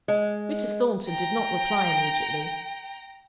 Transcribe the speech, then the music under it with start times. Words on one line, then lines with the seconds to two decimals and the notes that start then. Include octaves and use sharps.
Mrs. Thornton did not reply immediately.
0.08 G#3
1.08 G5 A#5